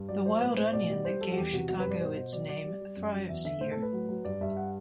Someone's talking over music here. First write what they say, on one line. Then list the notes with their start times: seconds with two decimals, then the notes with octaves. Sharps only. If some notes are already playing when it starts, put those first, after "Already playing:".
The wild onion that gave Chicago its name thrives here.
Already playing: G2
0.09 F#3 D5
0.25 F#3 C5
0.41 A2 B4
0.57 A2 C5
0.73 B2 D5
0.89 G3
1.05 G3 C5
1.21 G3 A4
1.32 F#4
1.37 E2 G4
1.52 C3 F#4
1.68 G3 F#4
1.80 B4
1.85 G2
1.91 D5
2.00 B2 C5
2.17 B2
2.32 F#3 D5
2.49 F#3 D5
2.65 G3
2.81 G3
2.96 F#2
3.13 F#3
3.29 E2 E5
3.44 D3 E5
3.61 A2 C5
3.71 A4
3.77 A2
3.82 B4
3.93 F#3
4.09 F#3
4.25 G2 D5
4.41 G2 E5
4.57 F#5